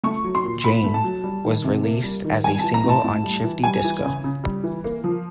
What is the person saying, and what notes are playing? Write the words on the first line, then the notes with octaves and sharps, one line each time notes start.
"Jane" was released as a single on Shifty Disco.
A3 C#6
F#3
C6
A#2
A#2 B5
A3
A5
F#3
G3
D#3
C3
A#3
G3
D#3
G3 G#5
E3 A5
A#5
A2
A5
A2
G3
E3
G3 G#5
E3
C#3
C#3
G3
E3
A#3
F3